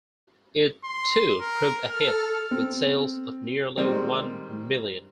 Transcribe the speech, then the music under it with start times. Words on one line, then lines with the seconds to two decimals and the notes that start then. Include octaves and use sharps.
It, too, proved a hit, with sales of nearly one million.
0.84 C6
1.41 A#4
1.91 A4 F6
2.51 C4
3.77 D#3 G3 G#3 C4